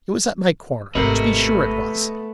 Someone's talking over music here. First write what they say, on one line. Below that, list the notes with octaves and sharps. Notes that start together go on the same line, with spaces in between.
It was at my corner. To be sure it was!
G#1 C3 A3 B3 A#4 D#5 B5